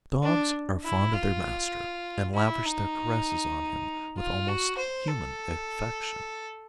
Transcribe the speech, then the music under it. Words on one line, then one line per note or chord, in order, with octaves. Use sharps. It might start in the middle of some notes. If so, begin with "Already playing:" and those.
The dogs are fond of their master and lavish their caresses on him with almost human affection.
D4
E4
F4
E4
D#4
F4
F#4
C5
A4